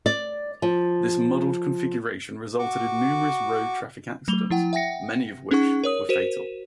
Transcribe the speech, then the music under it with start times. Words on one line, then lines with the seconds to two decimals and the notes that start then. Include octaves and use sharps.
This muddled configuration resulted in numerous road traffic accidents, many of which were fatal.
0.06 D5
0.62 F3
2.59 F#4 C#6 D6
4.28 F#3 A3 F7 G7
4.50 F3 E4 F#5 G5
4.73 E5 F#5 G5 A#6 C#7
5.51 C#4 D#4 G#4 F#5 C#6
5.84 A#4 C#5 D#6
6.09 F#4 A#4 C5 D#7 E7